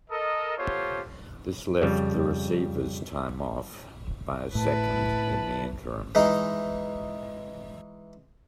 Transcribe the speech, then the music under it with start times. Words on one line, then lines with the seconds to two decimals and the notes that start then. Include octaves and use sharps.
This left the receiver's time off by a second in the interim.
0.10 A4 A#4 D#5
0.58 B3 F4 G4 A4 C5 C#5
1.82 F2 C#3 G3
4.55 A2 E4 B4 A5
6.15 E3 G#3 D#4